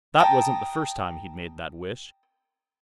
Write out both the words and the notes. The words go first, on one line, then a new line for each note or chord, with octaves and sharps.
That wasn't the first time he'd made that wish.
G5 A5 A#5 D#6